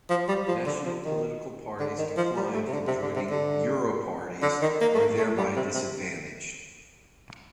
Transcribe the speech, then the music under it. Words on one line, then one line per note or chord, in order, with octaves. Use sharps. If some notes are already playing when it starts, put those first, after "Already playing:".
National political parties disinclined from joining Europarties are thereby disadvantaged.
F3
G3
F3
D3
F3
D#3
D3
D#3
F3
G3
A3
C3
D3
C3
D3
C3
D3
D3
D#3
A#3
A3
A#3
A3
G3
C3
C3